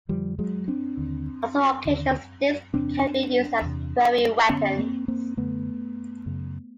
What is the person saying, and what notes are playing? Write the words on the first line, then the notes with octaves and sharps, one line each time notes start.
On some occasions, sticks can be used as throwing weapons.
F2 D3 F3 G3
F#3 G#3
C4 D4
D#2 D3
D#2 D3
E2 C3 C4 D4
E2 C3
F#2 D3 B3 C#4
A#3 C4
A#3 C4
F#2 D3 A3 B3
F#2 C#3